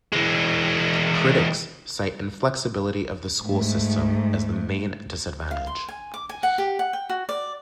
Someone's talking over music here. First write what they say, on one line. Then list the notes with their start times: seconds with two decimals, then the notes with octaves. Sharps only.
Critics cite inflexibility of the school system as the main disadvantage.
0.13 E3 G#3
3.42 G#2 A3
5.51 F5
5.67 C6
5.88 G#5
6.14 D6
6.29 G#5
6.43 F#5
6.58 G4
6.79 F#5
6.93 G5
7.09 F#4
7.29 D5